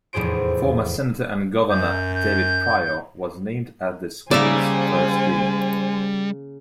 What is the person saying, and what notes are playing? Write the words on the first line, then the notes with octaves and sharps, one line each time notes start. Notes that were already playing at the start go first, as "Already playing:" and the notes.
Former Senator and Governor David Pryor was named as the school's first dean.
F1 E2 A2 G#4 C5 D7
F#2 G6
G6
C#3 G3 A#3 C5 D5 E5 G#5